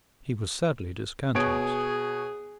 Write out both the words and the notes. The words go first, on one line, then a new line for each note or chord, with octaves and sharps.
He was sadly discountenanced.
B2 G#4 C#5 D7